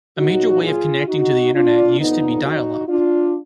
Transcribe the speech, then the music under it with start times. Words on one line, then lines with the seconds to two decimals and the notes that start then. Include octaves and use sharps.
A major way of connecting to the Internet used to be dial-up.
0.18 A#2 F#3 D#4 F#4
0.63 F4 G#4
1.08 D#4 F#4
1.53 D4 F4
1.98 F2 D3 F3 B3 D#4
2.44 D#4 F#4
2.88 D4 F4